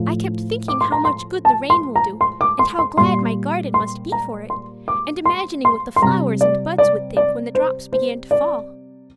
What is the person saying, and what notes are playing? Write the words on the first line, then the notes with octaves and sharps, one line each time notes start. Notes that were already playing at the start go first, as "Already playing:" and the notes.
I kept thinking how much good the rain will do and how glad my garden must be for it, and imagining what the flowers and buds would think when the drops began to fall.
Already playing: A2 F3
D6
C6
A#5
C6
A5
C6
A#5
C6
D6
C6
C6
A#2 G3 C6
C6
A#5
C6
D6
C6
C6
C6
C3 G3 A#5
D5
D5
D5
C5
C5
D5